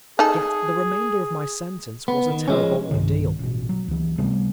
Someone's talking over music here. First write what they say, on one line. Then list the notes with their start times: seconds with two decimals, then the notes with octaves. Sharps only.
Yet the remainder of my sentence was a terrible ordeal.
0.19 D#4 G#4 A4
2.08 B3
2.30 D#3
2.48 F3 G#3 C#4
2.91 B1 G2 C3 D#3
3.39 A1 B2
3.69 F#3
3.88 C#2 E3
4.18 C3 G3 A3 B3